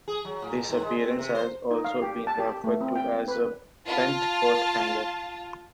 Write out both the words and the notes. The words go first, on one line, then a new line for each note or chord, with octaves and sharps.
This appearance has also been referred to as a "bent coat hanger".
G#4
F#3
A2
A#2
G#2
G#3
C4
C3
C5
D#4
F5
G4
A5
G4
A3
C4
G5
B4
F4 A5